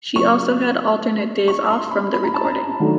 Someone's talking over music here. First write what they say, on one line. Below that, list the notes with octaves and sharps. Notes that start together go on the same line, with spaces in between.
She also had alternate days off from the recording.
C#3 F#3 A#3 C#6
C#6
C6
B5
B5
A#5
A5
A#5
D#3 F#3 A3 D4